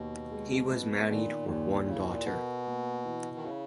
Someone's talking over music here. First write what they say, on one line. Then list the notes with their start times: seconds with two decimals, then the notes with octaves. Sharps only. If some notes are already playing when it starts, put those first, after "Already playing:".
He was married with one daughter.
Already playing: D#2 B2
0.31 G#3
0.72 B3
1.10 A#2 D#3
1.43 G#2
1.48 D#2 A#2
1.88 C#3 E4
2.01 B2
2.12 A#2
2.24 B2 A#4
2.67 A#3
3.05 E3
3.36 D#3
3.44 C#3 E4